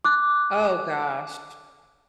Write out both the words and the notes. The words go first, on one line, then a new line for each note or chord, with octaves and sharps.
Oh, gosh.
D6 F#6